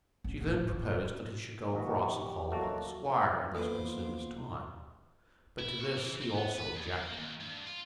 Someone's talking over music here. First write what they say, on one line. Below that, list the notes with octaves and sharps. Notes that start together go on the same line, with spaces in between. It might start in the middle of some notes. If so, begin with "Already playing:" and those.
She then proposed that he should go across and call upon the squire, and thus consume his time. But to this he also objected.
A#1 C#3
A1 A2
G#1
E2 D#3
A#1 D#3 G4 F#5 C#6
F#3 A3 A#3 F#4 A4 D#5 A5
D#2 A#3 B3 F4 A4 B4 C5 D6
E4
F#4
E3
C4
B3
B4
D2
A#3
D#2
G2
F4